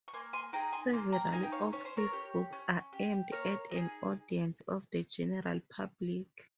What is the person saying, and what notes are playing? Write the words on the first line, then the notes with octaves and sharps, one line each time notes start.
Several of his books are aimed at an audience of the general public.
C#6
A#3 G#5 C6
G#5 C6
D#4 G#4 G5 A#5
G#5 C6
A#3 G#5 C6
G5 A#5
D#4 G#4 F5 G#5
G5
C#5 F5
C#4 C#5
C5
A#4 C#5
G4
C#4
G4
A#3 A#4 C#5
D#4 G#4